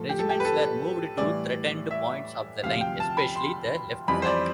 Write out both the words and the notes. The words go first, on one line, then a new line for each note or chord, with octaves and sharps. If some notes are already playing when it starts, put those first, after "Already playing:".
Regiments were moved to threatened points of the line, especially the left flank.
Already playing: A2 F3 A4
G4
A4
G4
B4
A4
A2 E3 G3 D5
E5
D2 C3 F3 F5
G5
A5
B5
C6
F2 E3 G3 B5
C5
D5